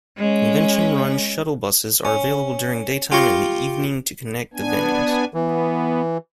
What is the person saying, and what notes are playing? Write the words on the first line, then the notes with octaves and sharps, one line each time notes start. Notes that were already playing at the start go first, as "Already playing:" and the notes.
Convention-run shuttle buses are available during daytime and the evening to connect the venues.
G#3 C#4
C#4
F4 G4 F5 A#5 C#6
B3 D4 G#5
E3 B3